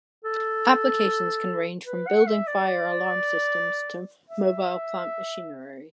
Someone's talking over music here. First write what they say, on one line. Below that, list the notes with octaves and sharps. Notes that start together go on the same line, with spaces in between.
Applications can range from building fire alarm systems to mobile plant machinery.
A4
B4
F#5
E5
D5
D5
E5